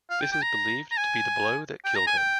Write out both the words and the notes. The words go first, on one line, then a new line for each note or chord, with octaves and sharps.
This is believed to be the blow that killed him.
F5
G5
G5
A#5
A#5
G#5
G5
A#5
G#5
G5